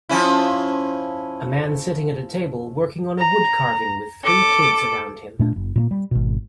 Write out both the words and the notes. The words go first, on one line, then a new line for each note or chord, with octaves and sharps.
A man sitting at a table working on a wood carving with three kids around him.
F3 C#4 E4
A#5
A4 D6
A#2 A3 D4
F#1
A#2 A3 A#3
G3
G#1 B2